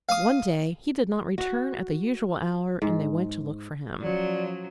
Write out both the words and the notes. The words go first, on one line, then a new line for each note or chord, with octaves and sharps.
One day he did not return at the usual hour and they went to look for him.
F5 D#6
F#4
G#2
F3 F#3 C#4 D5